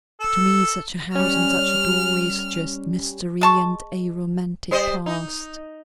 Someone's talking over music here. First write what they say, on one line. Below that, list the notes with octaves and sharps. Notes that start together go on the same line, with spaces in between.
To me such a house and such a doorway suggest mystery and a romantic past.
A4
G3 C#4 F6
G#3 A5 C#6
G3 C5 D#5
D#4